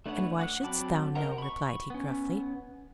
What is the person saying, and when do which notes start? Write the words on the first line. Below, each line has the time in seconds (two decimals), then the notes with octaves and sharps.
"And why shouldst thou know?" replied he, gruffly.
0.06 A3 D4 B4 C#5 F#5
0.39 F#5 D6 F#6
0.63 F#3 C4 A5 B5 D6
1.15 A#4 C5 D#5 F#5 A#5
1.38 B5 C#6
1.90 B3 C#4